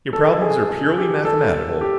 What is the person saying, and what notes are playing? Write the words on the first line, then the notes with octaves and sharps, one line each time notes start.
Your problems are purely mathematical.
A4
A4
G#4
G#4
G4
A4
G4